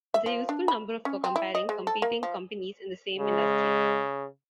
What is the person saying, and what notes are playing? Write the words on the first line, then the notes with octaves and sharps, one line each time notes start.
It's a useful number for comparing competing companies in the same industry.
E5
F3
D4
B5
C#4
C4
E4
D#5
G#3
A4
A#3
F3
C#3 G#3